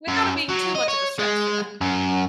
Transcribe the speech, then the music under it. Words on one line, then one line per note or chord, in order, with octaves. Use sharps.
without it being too much of a stretch for them.
F#2
F#3
D#5
C#5
G#3
F#2